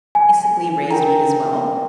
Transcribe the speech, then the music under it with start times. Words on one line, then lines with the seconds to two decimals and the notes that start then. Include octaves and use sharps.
basically raised me as well,
0.15 G#5
0.91 A#4 G5 A#5